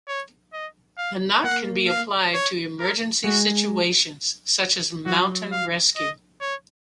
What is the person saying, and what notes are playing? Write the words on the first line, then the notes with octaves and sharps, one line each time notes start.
The knot can be applied to emergency situations, such as mountain rescue.
C#5
D#5
F5
A#3 F#5
F5
C#5
A#4
G#3 F#4
F#3 F#4
F5
D#5
C#5